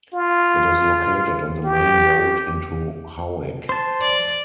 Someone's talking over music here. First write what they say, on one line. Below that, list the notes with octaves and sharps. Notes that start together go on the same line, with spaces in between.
It is located on the main road into Howick.
F4
G4
C5 A5
D5